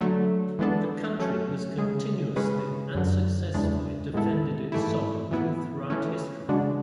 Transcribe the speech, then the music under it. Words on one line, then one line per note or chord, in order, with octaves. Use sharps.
The country has continuously and successfully defended its sovereignty throughout history.
D3 F#3 A3
E3 G#3 B3 D4 A4
F#3 A3 C#4
C#3 G#3 C#4 G#4
C#3 G#3 C#4 G#4 B4
F#2 D3 F#3
E2 C#3 E3 G#3 D4
A2 G#3 B3 E4 A4
G#2 E3 A3 E4
E3 B3 E4
E3 A3 C#4
C#3 G#3 D4 F#4